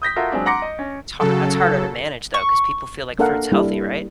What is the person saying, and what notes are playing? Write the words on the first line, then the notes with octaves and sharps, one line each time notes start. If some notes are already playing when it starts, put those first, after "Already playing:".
It's har that's harder to manage, though, 'cause people feel like fruit's healthy, right?
D#6 G6 A#6 B6
F4 F#4 A4 A#4 E5
F#3 G#3 C4 D4
F#5 A#5 C6 D6 A#6 C#7
D#5
C#4
C#3 F#3 A4
C#6
A#3 D4 A4 A#4 F5 F#5
G3 A#3 D4 E4